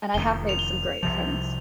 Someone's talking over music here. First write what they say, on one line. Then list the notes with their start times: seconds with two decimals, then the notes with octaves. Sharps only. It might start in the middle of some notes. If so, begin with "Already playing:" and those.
And I have made some great friends.
0.14 F1 F2 D#3 G7
0.49 F7
0.59 G7
1.03 C2 C3 F3 F7